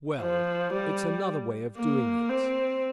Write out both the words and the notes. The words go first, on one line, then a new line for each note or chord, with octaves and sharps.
"Well ... it's another way of doing it."
F3
G3
A#3
C4